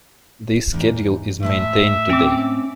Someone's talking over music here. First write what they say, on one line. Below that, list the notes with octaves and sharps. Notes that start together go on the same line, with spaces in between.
This schedule is maintained today.
E2 G#2 D#4
A2 G#3 E5 A5
C4 C#4 D6